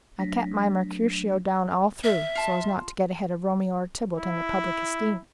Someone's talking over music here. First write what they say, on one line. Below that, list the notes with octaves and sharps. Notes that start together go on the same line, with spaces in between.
I kept my Mercutio down all through, so's not to get ahead of Romeo or Tybalt in the public esteem.
F#3 A3 D4 A#6 B6
E5 F6
F4 A5
E4